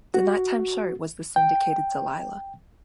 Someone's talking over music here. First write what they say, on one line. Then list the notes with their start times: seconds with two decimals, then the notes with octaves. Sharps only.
The nighttime show was the syndicated Delilah.
0.14 F#4
1.36 G5